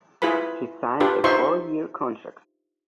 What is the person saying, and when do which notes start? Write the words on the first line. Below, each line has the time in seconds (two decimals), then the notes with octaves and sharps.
He signed a four-year contract.
0.22 E4 F4 G#4 B4 B5
1.00 D4 F4 G4 B4
1.24 D#4 F4 C5 E5 C6 C#6